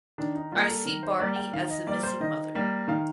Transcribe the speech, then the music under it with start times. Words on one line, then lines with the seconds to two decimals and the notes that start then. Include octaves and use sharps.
I see Barney as the missing mother.
0.18 D#3 D4
0.35 D#4
0.52 G3 A#3 F4
0.68 A4
0.85 D#3 A#4
1.03 C5
1.19 G3 A#3 D5
1.36 G5
1.53 D#3 F5
1.70 D#5
1.87 G3 A#3 D5
2.03 C5
2.20 D#3 D#5
2.55 G3 A#3
2.88 D#3 F5